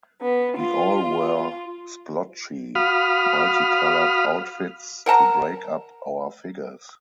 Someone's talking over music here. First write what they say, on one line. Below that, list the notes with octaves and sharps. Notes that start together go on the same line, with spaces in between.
We all wear splotchy, multicolored outfits to break up our figures.
B3
F4
F#4 F5 B5 D#6 F6
A#4 F#5 A5 A#5